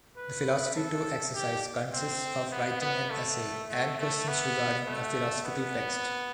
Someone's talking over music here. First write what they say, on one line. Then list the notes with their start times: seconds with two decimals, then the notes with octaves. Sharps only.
The Philosophy two exercise consists of writing an essay and questions regarding a philosophical text.
0.17 B4
0.76 A4
1.35 G4
1.93 C4
2.52 B3
2.81 B3
3.11 A3
3.70 A3
3.99 A3
4.28 B3
4.87 A3
5.45 B3